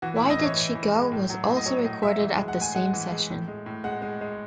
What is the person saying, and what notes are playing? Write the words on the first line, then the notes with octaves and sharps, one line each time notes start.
"Why Did She Go" was also recorded at the same session.
E3 F#4
E4
A2
D#5
E3 C#5
E3
E3
G#3
A2
F#3
A2
D#5
F#3 C#5
A2 D#5
F#3 E5
E3
G#3
F#5
A2 G#5
G#3 F#5
E3
G#3
A2
G#3
A2
G#3 F#5
G#3
G#3